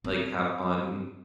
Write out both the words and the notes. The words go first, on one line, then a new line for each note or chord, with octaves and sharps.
Like, have fun,
C4